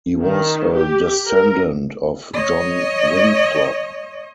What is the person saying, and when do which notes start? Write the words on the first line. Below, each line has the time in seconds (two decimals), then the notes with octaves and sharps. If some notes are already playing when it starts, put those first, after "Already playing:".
He was a descendant of John Winthrop.
0.22 D#3
0.72 G4
1.27 A#4
2.34 C#5 D#5